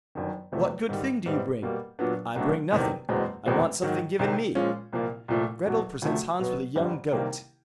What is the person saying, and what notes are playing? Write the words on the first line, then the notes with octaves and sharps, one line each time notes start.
What good thing do you bring?' 'I bring nothing, I want something given me.' Gretel presents Hans with a young goat.
G1 F#2 D#3
E1 E2 C3 F3 A3
G#2 D#3 G3
G#2 E3 G3 C4
B2 G3 A#3
A#2 F#3 B3 D4
C2 B2 F#3 A3 D4
E1 E2 C3 D#3
F#1 E2 B2 G#3 C4
F1 E2 B2 G#3 C4
G#2 D#3 F#3
C2 C3 D#3
A#2 F3 G#3 C#4 F4
C2 A#2 F3 A#3
C2 A#2 F3 A3
E2 B2 F#3
D2 C3 F3 A3
B2 F#3 B3
G1 F2 D3 G3
C2 C3 D#3 G3 A#3